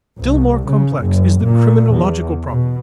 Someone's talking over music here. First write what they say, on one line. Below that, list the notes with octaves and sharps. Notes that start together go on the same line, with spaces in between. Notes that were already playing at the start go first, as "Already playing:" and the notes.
Still more complex is the criminological problem.
C2
C#3
F#1
A#2
E2
B2